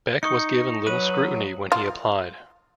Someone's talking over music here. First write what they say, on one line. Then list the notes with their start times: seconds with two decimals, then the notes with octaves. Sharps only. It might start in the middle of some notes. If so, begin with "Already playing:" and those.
Beck was given little scrutiny when he applied.
0.23 D#4 C#6 D#6 C#7
0.87 F#3 B4 D#7
1.72 F4